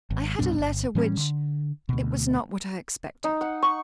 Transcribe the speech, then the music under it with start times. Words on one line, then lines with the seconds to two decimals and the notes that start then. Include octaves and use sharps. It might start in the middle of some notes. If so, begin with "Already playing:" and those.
"I had a letter which--It was not what I expected."
0.10 G#1
0.39 C2 G2 B2 D4
0.58 G1
0.95 A2 E3 G3 C#4
1.17 D3
1.89 D2 B2
3.24 D#4
3.41 F#5
3.62 C#6